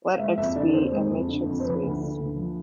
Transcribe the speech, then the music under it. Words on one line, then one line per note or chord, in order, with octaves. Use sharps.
Let "X" be a metric space.
F5
G#3 E5
F2 E5
D3 D5
F2 C5
G#3 C5
F2
D3
F2
C5
F3 B4
D2
D3
D2
F3